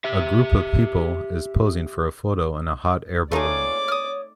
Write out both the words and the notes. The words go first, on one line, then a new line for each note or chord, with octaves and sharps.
A group of people is posing for a photo in a hot air balloon.
G4 E5
A3 D#4 F4 G#4 C#5 D5 D6
D#6 F6